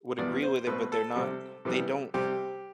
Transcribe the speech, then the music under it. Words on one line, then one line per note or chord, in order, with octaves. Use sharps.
would agree with it, but they're not they don't
E2 B2 G3 B3 D5
C5
B2 A3 C4 B4
A4
C3 G3 C4
C3 E3 G3 B3
C3 G3 C4 G4